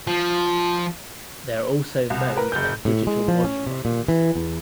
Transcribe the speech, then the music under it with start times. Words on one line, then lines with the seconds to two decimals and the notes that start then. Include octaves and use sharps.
There are also mode and digital volume buttons.
0.07 F3
2.10 C2
2.37 A#4 B4
2.52 F#1 G6
2.85 A2
3.07 G#3
3.28 F3
3.44 C#4
3.67 C3
3.85 A#2
4.08 E3
4.36 E2